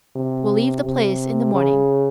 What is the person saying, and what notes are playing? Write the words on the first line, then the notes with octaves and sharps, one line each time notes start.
We'll leave the place in the morning.
C3
C3
C#3